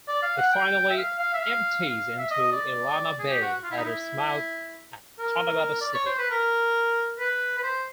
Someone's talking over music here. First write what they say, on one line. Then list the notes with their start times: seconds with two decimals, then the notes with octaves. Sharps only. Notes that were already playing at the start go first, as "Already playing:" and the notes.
It finally empties into Illana Bay at its mouth at Cotabato City.
0.08 D5
0.22 F5
0.37 F#5
0.52 G5
0.90 E5
0.97 F5
1.19 F5
1.34 E5
1.41 F5
1.85 F5
2.18 E5
2.31 D#5
2.52 D5
3.19 G#4
3.30 G4
3.41 F#4
3.63 F4
3.71 E4
3.78 D#4
3.85 E4
5.19 A#4
5.81 D5
5.94 C#5
6.06 C5
6.19 B4
6.30 A#4
7.19 B4
7.58 B4
7.63 C5